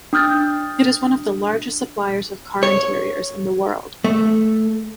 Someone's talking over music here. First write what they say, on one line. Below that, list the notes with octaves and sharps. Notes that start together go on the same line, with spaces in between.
It is one of the largest suppliers of car interiors in the world.
D4 D#6 F6 G6 A6
C#5
A3